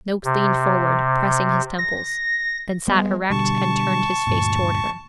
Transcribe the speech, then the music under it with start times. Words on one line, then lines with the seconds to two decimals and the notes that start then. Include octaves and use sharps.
Noakes leaned forward, pressing his temples; then sat erect and turned his face toward her.
0.24 C3
1.79 A#6
2.88 G3 G#3 B3
3.30 B2 D3 G3 A5 C#6
4.27 D2 G2 A#2